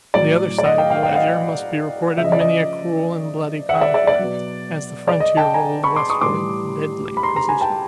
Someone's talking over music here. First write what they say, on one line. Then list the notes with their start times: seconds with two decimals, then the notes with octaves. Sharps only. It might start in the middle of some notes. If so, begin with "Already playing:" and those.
On the other side of the ledger must be recorded many a cruel and bloody conflict as the frontier rolled westward with deadly precision.
0.14 A2 F#3 D5
0.58 D5
0.66 D#5
0.78 F5 G5
0.90 F5 G5
1.03 F5 G5
1.11 F#5
1.15 D#5 F5
2.17 C#3 F3 E5
2.24 D#5
2.32 D5
2.40 D#5
3.69 E5 F#5
3.81 D5 E5
3.94 D5 E5
4.07 D5
4.19 B2 F#3
5.08 D5
5.20 D#5
5.37 G5 A5
5.54 G#5 A#5
5.84 B5 C#6
5.96 C6 D6
6.10 C#6 D#6
6.21 A2 E3 G3 C6 D6
7.17 B5
7.23 A#5 C6
7.36 A#5 C6
7.49 G#5 A#5
7.61 G5 A5